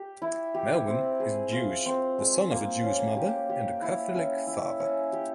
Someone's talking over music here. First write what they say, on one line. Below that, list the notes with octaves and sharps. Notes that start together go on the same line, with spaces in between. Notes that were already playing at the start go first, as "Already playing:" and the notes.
Melvin is Jewish, the son of a Jewish mother and a Catholic father.
Already playing: G4
E4
G4
C4
G#4
F4
C4
G#3
A#3
C#4
G4
G4
E4
C#4
E4
C#4
G4